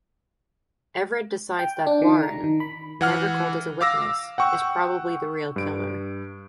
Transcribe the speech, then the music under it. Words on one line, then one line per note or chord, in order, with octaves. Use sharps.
Everett decides that Warren, never called as a witness, is probably the real killer.
G5
D4
D#3
A#5
D#3
B5
E3 F#5 F6
F5 D6 E6 A#6
F#5 G5 C#6 E6
G2 D7